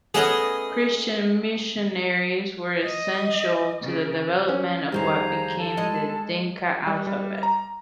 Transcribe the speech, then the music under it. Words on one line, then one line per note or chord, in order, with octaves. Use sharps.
Christian missionaries were essential to the development of what became the Dinka alphabet.
A3 B3 C#4 G#4 D#5
D#5
C#3
C#4
F2 D#3 G3 G#4 C5 F5 A#5
A4 A5
G#3 D#5
G3
G3
A#5